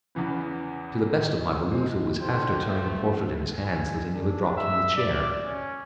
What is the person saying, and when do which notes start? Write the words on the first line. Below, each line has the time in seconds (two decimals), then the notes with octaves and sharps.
To the best of my belief it was after turning the portrait in his hands that he nearly dropped from the chair.
0.15 E2 C#3 E3 B3
1.71 F3 G#3 C4
2.21 D3 F4 C5 G5
2.65 G2 F3 A3
3.56 G#5
4.14 D4
4.57 E5
4.96 D5
5.45 C#4